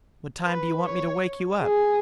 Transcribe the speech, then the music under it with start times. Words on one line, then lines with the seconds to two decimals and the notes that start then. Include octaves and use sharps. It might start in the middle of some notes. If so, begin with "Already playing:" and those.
"What time d'you want me to wake you up?"
0.45 B4
0.84 C#5
1.62 G#4